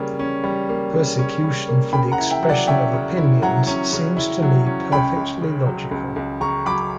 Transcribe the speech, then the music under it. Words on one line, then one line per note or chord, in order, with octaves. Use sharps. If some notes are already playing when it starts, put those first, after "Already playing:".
Persecution for the expression of opinions seems to me perfectly logical.
Already playing: C#3 G3 A#3 C#4
C#4
G3
A#3
C#3
C#4
G3
A#3
C#3 G5 B5
F#5 A#5
E4
E5 G5
F#3
D5 F#5
C#4 E5 G5
C#3
E4
F#3 F#5 A#5
C#4
C#3
E4
F#3
C#4
C#2 G5 B5
C#2
C#3
F#3
C#2
C#2
C#3 A#5 C#6
F#3 B5 D6